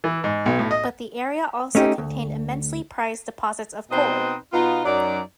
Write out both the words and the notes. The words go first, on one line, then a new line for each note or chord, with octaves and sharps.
But the area also contained immensely prized deposits of coal.
E3
G#2
B1
A2
D#5
A3 C#4 D#4 G4
D2
B2 C4 D#4 B4 C5 D#5
B2 B3 D#4 F4
F#2 F#3 D#4 D5